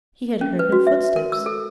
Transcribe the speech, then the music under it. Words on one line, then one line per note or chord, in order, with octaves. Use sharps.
He had heard no footsteps.
C#4
B4
F#4
E5
A#4
E6
A4